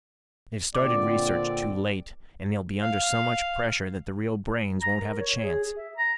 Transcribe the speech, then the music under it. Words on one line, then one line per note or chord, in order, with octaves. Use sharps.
They've started research too late and they'll be under so much pressure that the real brains won't have a chance.
A#2 D3 C4 D5 D6
F5
A#5
A#4
C#5
G#4
G#4
E5
A#5